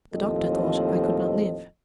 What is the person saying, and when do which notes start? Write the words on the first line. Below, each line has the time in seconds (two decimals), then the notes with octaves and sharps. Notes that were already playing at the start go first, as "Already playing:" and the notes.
The doctor thought I could not live.
0.14 D#2 A2 F3 C4 A4 D#5